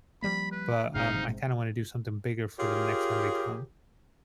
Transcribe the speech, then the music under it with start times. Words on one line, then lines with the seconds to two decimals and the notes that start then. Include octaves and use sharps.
but, um, I kinda wanna do something bigger for them next time they come.
0.22 F3 G3 A#3 B5
0.52 B4
0.94 G1 G#2 C3 D#4 F5
2.58 F4 G4 G#4 A#4 C#5